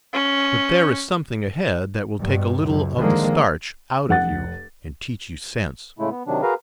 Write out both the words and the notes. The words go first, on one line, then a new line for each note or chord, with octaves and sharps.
But there is something ahead that will take a little of the starch out of you and teach you sense.
C#4
G2 B2
C#2 F#2
D3 D#3 F3 G#3 A#3
F1 F#5 A6
A2 C#3 G#3 A3 E4
B3
C3 D#3 F#3 D4
F#4 G#4 A#4 B4 F5 A#5